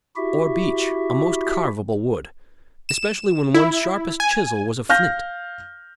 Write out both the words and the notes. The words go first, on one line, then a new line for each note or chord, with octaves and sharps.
Or beech--a most carvable wood. Especially when one's sharpest chisel was a flint.
E4 F#4 G4 E5
E7
E4
G#5
F5 F6 G6 A#6